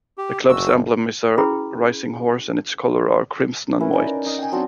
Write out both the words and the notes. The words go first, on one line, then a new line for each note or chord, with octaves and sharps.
The club's emblem, is a rising horse and its colors are crimson and white.
G4
F#1 F#4 E6
C#4 E4 F#4 G#4 B4 B5
C#4 E4 A#4 B4
C#4 D#4 D5
A#4
D#4
G5 G#5
F#3 C4 D4 D#4